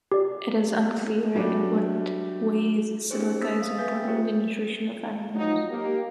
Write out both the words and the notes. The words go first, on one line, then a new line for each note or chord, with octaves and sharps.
It is unclear in what ways silica is important in the nutrition of animals.
G4 D5
F#3 G3 A3 D4
C#4 D#4 G4 G#4 C5 C#5
A#3 D#6 E6 A6 B6
F5 D#6
B4 E5 G#5 G6 A6 B6
G5
F4 G4 G#4 A#4 C5 C#5
F3 F#3 D#4
A#3 G4